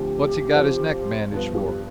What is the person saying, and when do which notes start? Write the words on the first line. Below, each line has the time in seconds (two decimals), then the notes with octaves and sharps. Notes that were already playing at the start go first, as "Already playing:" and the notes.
What's he got his neck bandaged for?
Already playing: D2 D3 F3 A3 C4 G4
0.55 F3 C4 F4 C5
1.32 G2 F3 B3
1.53 F4
1.57 G4